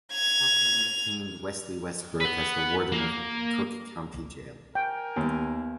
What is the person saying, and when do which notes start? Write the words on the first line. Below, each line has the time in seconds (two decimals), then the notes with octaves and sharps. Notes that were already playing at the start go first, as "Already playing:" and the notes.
Hoffman retained Wesley Westbrook as the warden of Cook County Jail.
0.12 G#6 F7
2.20 B4 F#5
2.92 A#3
4.75 A#4 G5 G#5
5.16 D#2 B3